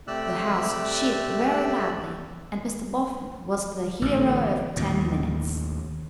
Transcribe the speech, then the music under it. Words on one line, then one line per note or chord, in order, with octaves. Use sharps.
The House cheered very loudly, and Mr. Boffin was the hero of ten minutes.
C3 A3 G4 D5 E6 F#6
A1 D3
D#2 A2